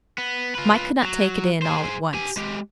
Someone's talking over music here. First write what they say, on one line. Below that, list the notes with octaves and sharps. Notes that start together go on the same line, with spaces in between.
Mike could not take it in all at once.
B3
F4 B4
F#3
G#4 C5
G4 G#5
G#3 G4